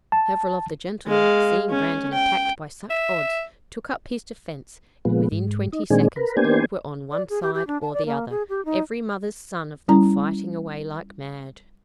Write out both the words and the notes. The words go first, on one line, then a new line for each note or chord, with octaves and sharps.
Several of the gentlemen, seeing Brandon attacked by such odds, took up his defense, and within twenty seconds all were on one side or the other, every mother's son of them fighting away like mad.
A5
G#3 F5
C#4
G5
E5
A#2 F3 G#3 B3
G#2
D#4
A#2 D#3 G#3 C4 D4 G#4
A#4 B4
A#3 B3 D4 G4 C5 G#5
D5
G#4
G4
G4
D4
A5
D5
A#3
G#4
G4
D#4
G3 C#4 E4 A#5